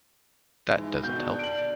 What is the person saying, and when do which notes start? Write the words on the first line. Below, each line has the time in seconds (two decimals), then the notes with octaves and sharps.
That doesn’t help.
0.76 G#2 E3
1.03 B2 D#3 G6
1.16 D3
1.39 D7 F#7